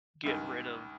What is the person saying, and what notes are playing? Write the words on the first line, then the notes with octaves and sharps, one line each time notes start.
get rid of
C#2 G2 D#3